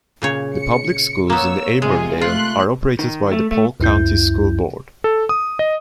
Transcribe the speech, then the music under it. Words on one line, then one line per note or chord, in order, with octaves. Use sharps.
The public schools in Auburndale are operated by the Polk County School Board.
A#2 C#3 C#5
C#7
A#3 B3 C#5 E6
C3 G#3 F4 G#4
A3 F4 C6 F#6
D#3
A3
A3
C#2 F#2 E4 G6
A4
D#6
D#5